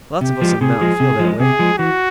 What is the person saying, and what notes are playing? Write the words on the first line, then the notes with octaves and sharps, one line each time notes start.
Lots of us in the mountain feel that way.
C3 G4
F3 G#3
C3 G#4
F3 G#3
C3
F3 G#3
C3 G#4
F3 G#3
E3 F#4